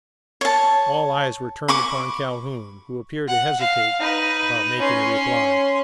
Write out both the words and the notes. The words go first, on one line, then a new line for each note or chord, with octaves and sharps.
All eyes were turned upon Calhoun, who appeared to hesitate about making a reply.
C#5 A5
B5 C#6 D6
F#5
F5
D#4 B4
C#4 C6